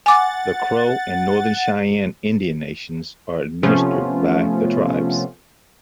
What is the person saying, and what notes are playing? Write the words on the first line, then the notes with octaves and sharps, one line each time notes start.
The Crow and Northern Cheyenne Indian Nations are administered by the tribes.
F#5 G#5 D6 A6
C3 F3 A3 B3 C#4 F4